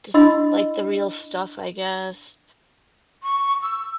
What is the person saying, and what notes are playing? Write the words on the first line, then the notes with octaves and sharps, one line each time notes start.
just like the real stuff, I guess.
D4 E4 D#5 B5 C6 E6
C#6
E6